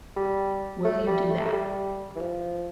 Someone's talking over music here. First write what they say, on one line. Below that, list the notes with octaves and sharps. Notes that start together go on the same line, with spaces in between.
Will you do that?
G3
A3
G3
A3
A3
G3
E3
F3